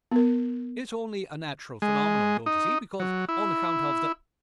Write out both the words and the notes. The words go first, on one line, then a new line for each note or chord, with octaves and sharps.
It's only a natural phenomenon, don't you see, because on account of the...
B3 A#4
G#3
D#4
F#3
E4